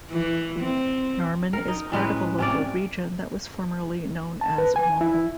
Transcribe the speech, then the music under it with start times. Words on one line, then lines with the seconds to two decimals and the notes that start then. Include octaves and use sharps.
Norman is part of a local region that was formerly known as Womble.
0.11 E3
0.60 C4
1.53 A#4
1.68 D#4
1.92 A2 G#3 C#4 B4
2.38 C3 C#4 D5
4.41 A5
4.58 B4
4.76 G#5
5.01 E4